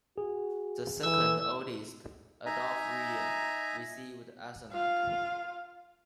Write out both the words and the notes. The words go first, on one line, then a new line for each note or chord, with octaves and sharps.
The second eldest, Adolf William, received Eisenach.
F#4 G#4
E3 A4 E6
D#4 E5 G#5 A#5
F4 F5